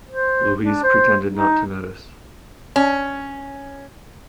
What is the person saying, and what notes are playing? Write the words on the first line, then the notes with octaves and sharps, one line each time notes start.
Louise pretended not to notice.
C5
D4
C5
D#4
C#4